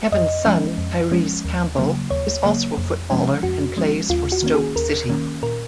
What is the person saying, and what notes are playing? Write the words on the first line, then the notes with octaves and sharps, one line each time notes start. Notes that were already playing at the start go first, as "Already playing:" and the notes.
Kevin's son, Tyrese Campbell, is also a footballer and plays for Stoke City.
F2 D#5
F3 G#3 C#4
F2
F3 G#3 C#4
D#2
C#3 F#3 A#3
D#2 C#5
C#3 F#3 A#3
F2
F3 G#3 C#4
F2 F#4
F3 G#3 C#4
D#2 F4
F#4
D#3 A#3 C#4
G#4
D#2 A#4
D#3 A#3 C#4
A#2 A#4